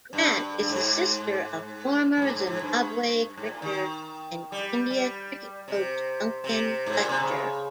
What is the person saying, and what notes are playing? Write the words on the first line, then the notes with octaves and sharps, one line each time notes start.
Grant is the sister of former Zimbabwe cricketer and India cricket coach Duncan Fletcher.
G2
G2
G#2
G2
G#2
G#2
G#2
G2
G#2
A#2
D#3
G3
G3
C3
C3
G#2
A#2
C3
C#3